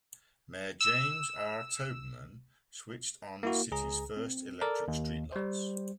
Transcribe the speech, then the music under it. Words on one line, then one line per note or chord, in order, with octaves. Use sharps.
Mayor James R Toberman switched on the city's first electric streetlights.
E6
A#3 E4 F#4
C#2 G#4 A#5
C4
A4 A#4 D5
D#2
G3 C5